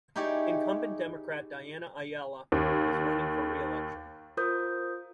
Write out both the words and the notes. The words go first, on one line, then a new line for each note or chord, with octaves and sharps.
Incumbent Democrat Diana Ayala is running for reelection.
D#4 E4 G4 G#4 C#5 D5
D#2
F4 A#4 C5 D#6 G6